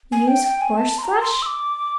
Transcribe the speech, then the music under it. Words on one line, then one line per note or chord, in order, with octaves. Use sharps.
Use horseflesh?
G#5
G5
G5
G#5
A5
C6
A#5
C6
E6
D6